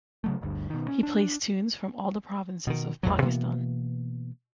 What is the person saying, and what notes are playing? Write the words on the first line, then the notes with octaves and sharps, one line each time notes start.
He plays tunes from all the provinces of Pakistan.
C#3 F#3 A3
G1 D2 G2
B2 D#3
C#4
D4
B2 D#3
A1 E2 A#2 F#3
B2 E3 A#3 B3